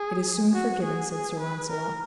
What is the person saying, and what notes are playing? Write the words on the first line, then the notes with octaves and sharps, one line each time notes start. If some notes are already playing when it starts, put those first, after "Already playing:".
It is soon forgiven, said Sir Launcelot.
Already playing: G#4
F#4
G#4
G#4
B4
A#4